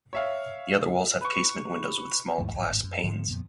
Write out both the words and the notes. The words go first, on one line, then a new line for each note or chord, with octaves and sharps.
The other walls have casement windows with small glass panes.
C#5 E5 F5
B4 C#6
D#2 G#2 F3 A3
G#1 A2
F#2
G#2 D3 F3 B3
F2 A#2 B3